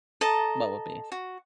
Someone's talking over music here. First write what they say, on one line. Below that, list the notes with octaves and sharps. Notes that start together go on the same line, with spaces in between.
What would be?
A4 D#5 A5 A#5
F#4